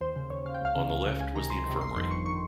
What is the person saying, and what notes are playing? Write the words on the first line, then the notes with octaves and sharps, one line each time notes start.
On the left was the infirmary.
D#2 C5
C#3 C5
D#2 C#5
C#3 F5
G5
C#2 F5
C#3
C#2
C#3
C#2 G#5
C3 D#3 A#5
C#2 C6
C3 D#3
G1 C6
F2 D#3 C6
G1 C#6
D#3 C#6